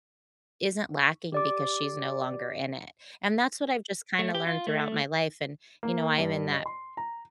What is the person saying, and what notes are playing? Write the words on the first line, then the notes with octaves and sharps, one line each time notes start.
isn't lacking because she's no longer in it. And that's what I've just kinda learned throughout my life, and, you know, I am in that
G4 D5 D6
A3
G4
F4
A3
A#3
G2
D#5
C6
A#5